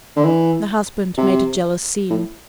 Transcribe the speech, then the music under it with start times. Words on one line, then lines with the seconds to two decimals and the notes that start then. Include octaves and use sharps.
The husband made a jealous scene.
0.16 D3
0.25 E3
1.17 C3
2.10 A2